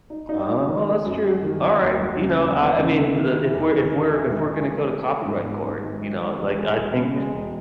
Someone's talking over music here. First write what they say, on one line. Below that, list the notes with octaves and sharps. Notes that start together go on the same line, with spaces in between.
Uh, well, that's true. Alright. You know, I I mean, the if we're if we're if we're gonna go to copyright court, you know, like, I think
D#4
D#4
F#3
D#3
A3
F#2
F#2
D#3
F#2
D#2
F#3
C#3
D#2
B3
C#3
A3
D#3
E4
E2
D#3
E2
E3
G#1
E3
E3
A3
A3
G#2
B3
G#2
G#1
G#1
G#1
E1
G#3
E1
C#3
G#3
E1